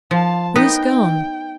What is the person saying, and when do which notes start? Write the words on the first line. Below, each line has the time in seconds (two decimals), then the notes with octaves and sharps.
Who is gone?
0.11 F3 F5 A5
0.56 B3 D#4 B4 G5